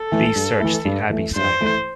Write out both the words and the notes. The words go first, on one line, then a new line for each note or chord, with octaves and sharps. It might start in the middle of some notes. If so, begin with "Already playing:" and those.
Please search the Abby saga.
Already playing: A4
E3 A3 E4
G2
E3 A3 E4
G2
E3 A3 E4
G2 C5
E3 A3 E4